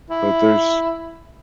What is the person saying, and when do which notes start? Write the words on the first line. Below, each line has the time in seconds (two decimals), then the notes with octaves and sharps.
But there's
0.10 E4